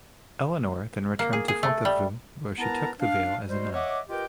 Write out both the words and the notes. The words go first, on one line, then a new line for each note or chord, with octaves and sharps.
Eleanor then returned to Fontevraud where she took the veil as a nun.
A#3
G#4
G#4
A3
G3
B3 E4 A#4 B4 A5 A#5
D4 F5
G3 G#3 F#4 C5
C#5 D#5 E5 F#5 D6
F4 G4 A#4 B4 D#5 G5